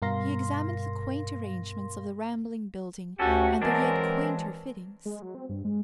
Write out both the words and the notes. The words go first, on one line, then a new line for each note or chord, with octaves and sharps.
He examined the quaint arrangements of the rambling building, and their yet quainter fittings.
G2 B2 A#4 F5 C6 A#6
D2 C#4 F#4 G4 A4
E3 F#3 G#3 C4 D4 A#4
G#3
F#3
C4
G2
G#3